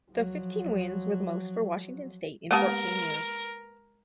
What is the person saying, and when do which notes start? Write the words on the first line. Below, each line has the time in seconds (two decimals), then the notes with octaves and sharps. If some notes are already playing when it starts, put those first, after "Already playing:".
The fifteen wins were the most for Washington State in fourteen years.
0.12 F3 F#3
2.51 G#3 A#3 B3 G4 A#4 A5